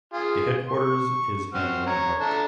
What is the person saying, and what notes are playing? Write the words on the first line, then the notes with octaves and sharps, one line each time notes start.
The headquarters is in Windhoek.
F4 G#4
C#6
C4 F#4 F6
C#5 A#5
A3 D4 A#5